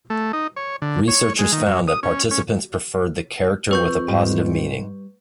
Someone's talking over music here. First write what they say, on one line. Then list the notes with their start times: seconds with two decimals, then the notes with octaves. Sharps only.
Researchers found that participants preferred the character with a positive meaning.
0.10 A3
0.33 D#4
0.56 C#5
0.82 D3
1.08 C#5
1.39 G#3
1.52 D#3
1.67 F#2
1.88 D#6
2.03 C#4
2.31 C#4
3.71 F2 B4 C#6 G6
4.08 G#2 G3